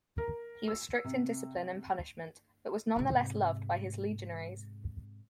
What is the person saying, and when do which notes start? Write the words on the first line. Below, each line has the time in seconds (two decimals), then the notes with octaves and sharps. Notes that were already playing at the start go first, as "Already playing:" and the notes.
He was strict in discipline and punishment but was nonetheless loved by his legionaries.
0.18 A#4
0.68 E6
1.04 C3
2.96 G#2 C3